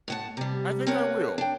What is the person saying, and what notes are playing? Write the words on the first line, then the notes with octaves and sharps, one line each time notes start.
I think I will.
A2 F#5 A5
C3 G3
C4 D4 A#4 B4 C#5 F#5
D4 G5